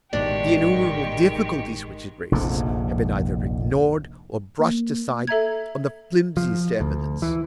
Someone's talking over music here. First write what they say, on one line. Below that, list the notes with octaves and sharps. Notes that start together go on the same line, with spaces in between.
The innumerable difficulties which it raises have been either ignored, or brushed aside on the flimsiest evidence.
A1 G#2 B2 D#3 G#3 D4 G4 C#6
F1 A#1 F2 G#2
A#3
A4 E5 A#5 G#6
F3
D2
E3